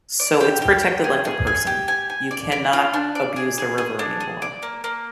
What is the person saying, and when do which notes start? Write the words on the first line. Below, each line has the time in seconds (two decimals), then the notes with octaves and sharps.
so it's protected like a person. You cannot abuse the river anymore.
0.20 D5
0.41 G4
0.62 G4
0.83 G5
1.04 G#4
1.25 G#4
1.47 G#5
1.67 G4
1.88 G#5
2.10 G#5
2.31 D5
2.52 D5
2.73 F4
2.94 D4
3.15 D5
3.36 G#4
3.58 G#4
3.78 G#4
3.99 D4
4.20 G#4
4.42 D5
4.63 A#3
4.84 A#3